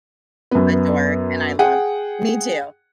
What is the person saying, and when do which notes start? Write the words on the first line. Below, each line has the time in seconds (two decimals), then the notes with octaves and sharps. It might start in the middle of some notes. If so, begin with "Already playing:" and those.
a dork, and I love Me, too.
0.51 F#2 B3
1.59 G#4 F#5 G5